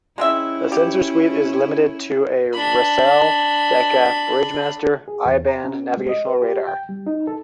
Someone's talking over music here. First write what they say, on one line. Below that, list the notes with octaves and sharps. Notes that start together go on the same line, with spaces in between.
The sensor suite is limited to a Racel Decca Bridgemaster I-band navigational radar.
G#3 C4 C#4 E4 E5
G4
D4 B5
G#4
E2
A#5
C#4
G#3
D#5
B4
G4
G5
G3
D#4
A4